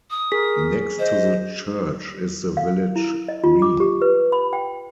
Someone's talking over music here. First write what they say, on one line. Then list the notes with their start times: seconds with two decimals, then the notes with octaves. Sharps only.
Next to the church is the village green.
0.10 D#6
0.32 G#4 A#4 B6
0.99 C5 D#5
2.57 F5
2.96 E4
3.28 D#5
3.44 F4
3.62 D6
3.80 G4
4.02 B4
4.32 B5
4.53 G5